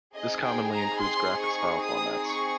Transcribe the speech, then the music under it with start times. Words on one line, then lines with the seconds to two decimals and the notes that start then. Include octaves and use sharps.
This commonly includes graphics file formats.
0.13 C4 D#4 G#4 D#5
0.41 G5
0.70 A#5
0.99 C6
1.40 C#6
1.83 D#6
2.26 C#6